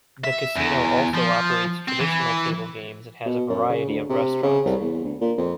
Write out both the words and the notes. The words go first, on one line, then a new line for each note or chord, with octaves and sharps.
The casino also operates traditional table games and has a variety of restaurants.
E5
E2
F3
C4
E3
B2
F#2
C#3
D2
C3
C#3
C2
E2
D2
A#2
F2